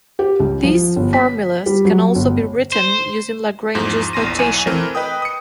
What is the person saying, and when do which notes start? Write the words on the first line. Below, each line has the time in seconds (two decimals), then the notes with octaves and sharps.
These formulas can also be written using Lagrange's notation.
0.19 G4
0.40 C#2
0.63 F3
0.96 G1
1.13 B6
1.66 G3
1.85 F#3
2.15 G1
2.72 C5
3.75 E2 G#2 F3
4.13 A#1 E2 C6 A#6 D#7
4.39 B1 E2 G#5 D#7
4.67 E3 A3 C4 A#4
4.95 B4 D#5 G5 D#6
5.22 D#6 C#7